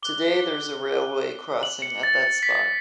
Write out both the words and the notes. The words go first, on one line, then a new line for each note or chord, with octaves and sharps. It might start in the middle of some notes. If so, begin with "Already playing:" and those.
Today there is a railway crossing at that spot.
D6 F#6 G7
F#7
C#7
A6
A6
B6